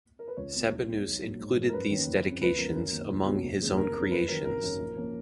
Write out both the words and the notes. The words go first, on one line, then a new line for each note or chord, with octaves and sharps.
Sabinus included these dedications among his own creations.
A#4
B4
C#2 C#5
B2 A#3 C#4
B1
B2 G#3
B1
A#2 F#3 A#3
G#2
F3 G#3
A#4
F#2 B4
D#3 A#3 C#4
F#1
F2 C#3
C#2 B4
C#3 F3 B3 A#4
F#2
D#3 A#3 C#4
C#2
B2 F#3 A#3 C#4
F1
D#2 C#3 G#3
F#1 A#4
F2 C#3
F#2 B4
D#3 F#3 C#4 A#4
G#1 A#4
F#2 C#3
A#1
F3 A#3 C#4